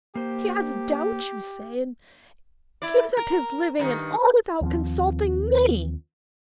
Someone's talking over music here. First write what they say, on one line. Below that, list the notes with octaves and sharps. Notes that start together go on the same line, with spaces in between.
'He has doubts, you say, and gives up his living, and all without consulting me.
A#3 G4 C5
E4 D5
A#4
G2 D#3
D#2 F3 C4